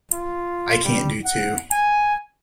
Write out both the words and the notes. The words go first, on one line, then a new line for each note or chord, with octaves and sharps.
I can't do two.
F4
G3
F#5
G#5